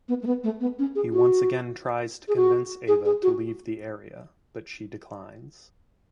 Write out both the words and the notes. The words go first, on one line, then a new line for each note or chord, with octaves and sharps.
He once again tries to convince Ava to leave the area but she declines.
B3
A3
B3
A3
B3
C#4
G#4
F#4
G#4
F#4
G#4
G#4
F#4